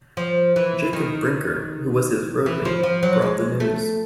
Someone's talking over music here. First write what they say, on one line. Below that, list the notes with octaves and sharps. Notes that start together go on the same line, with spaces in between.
Jacob Brinker, who was his roadmate, brought the news.
F3
E3
D#3
E3
F3
F3
F#3
G#3
A3